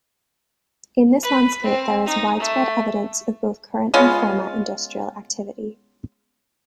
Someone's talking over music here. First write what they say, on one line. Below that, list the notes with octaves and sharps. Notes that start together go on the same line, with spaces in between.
In this landscape there is widespread evidence of both current and former industrial activity.
B4
C4
D#4
A3
G#3 B3 C#4 F4